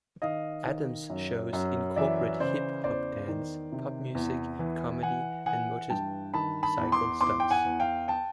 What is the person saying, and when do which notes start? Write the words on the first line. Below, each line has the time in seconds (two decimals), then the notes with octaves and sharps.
Adams' shows incorporate hip hop dance, pop music, comedy and motorcycle stunts.
0.22 D#3 D#5 F5
0.66 D#3
1.10 F#2
1.53 F#2
1.96 E3 D5 E5
2.40 C#3 C5 D5
2.84 E2 C5 D5
3.28 D#3
3.72 C3
4.15 E2
4.59 E3
5.02 E3 F#5 G#5
5.46 E3 F#5 G#5
5.90 G2 G5 A5
6.34 D#3 A5 B5
6.63 A5 B5
6.78 E2
6.92 C6 D6
7.21 E2 C6 D6
7.40 G5
7.50 F#5 G#5
7.65 E2
7.80 F5 G5
8.08 G5 A5